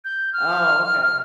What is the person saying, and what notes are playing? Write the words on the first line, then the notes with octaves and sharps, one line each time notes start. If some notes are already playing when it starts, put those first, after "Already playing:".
Oh, okay.
G6
F6